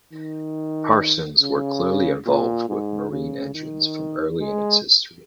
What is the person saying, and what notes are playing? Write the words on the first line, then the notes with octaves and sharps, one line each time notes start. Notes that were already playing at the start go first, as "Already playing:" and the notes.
Parsons were clearly involved with marine engines from early in its history.
D#3
C#3
A#2
G#2
C#3
D#3
G#3